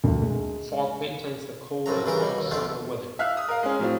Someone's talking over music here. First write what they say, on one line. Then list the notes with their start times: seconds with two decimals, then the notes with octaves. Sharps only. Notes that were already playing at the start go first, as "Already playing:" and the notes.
Fog maintains the cool summer weather.
0.04 D2
0.22 G#3
1.86 A#1 F#2 A2 F3 A#5
2.06 G2 C#3 E3 A#4
2.21 B2 G3
2.38 D#2
2.51 F2 D3 A3 F4
3.19 E5 F5 F6 F#6
3.37 D#6
3.48 A#4 F5
3.63 G#3 C#4
3.79 A2 F#3 C4 F4